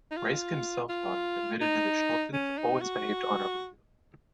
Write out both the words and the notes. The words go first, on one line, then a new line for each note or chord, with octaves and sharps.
Reiske himself, however, admitted that Schultens always behaved honourably to him.
D#4
F4
F4
D#4
C#4
D#4
F#4